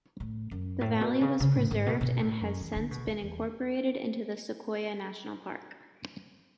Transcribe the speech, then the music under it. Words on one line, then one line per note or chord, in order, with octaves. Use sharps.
The valley was preserved and has since been incorporated into the Sequoia National Park.
A2
F#2
A2
B2
C#3
C#3
A2
G#2
B2
B2
A2
F#2
E3
C#3
D3
B2
E2
E2